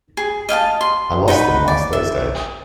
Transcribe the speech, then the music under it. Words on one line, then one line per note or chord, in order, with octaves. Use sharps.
I lost them last Thursday.
G#4
D#5 F5 G5 A5
C6
D#4 F#4 B4 B5
D5
E5